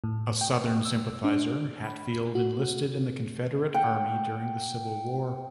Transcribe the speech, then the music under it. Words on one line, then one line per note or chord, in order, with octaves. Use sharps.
A Southern sympathizer, Hatfield enlisted in the Confederate Army during the Civil War.
A2
G5
E6
D4
B5
F#4
F#5 G5